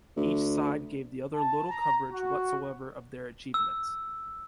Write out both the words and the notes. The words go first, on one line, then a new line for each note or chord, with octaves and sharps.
Each side gave the other little coverage whatsoever of their achievements.
D2
A5
A#5
F#4
E6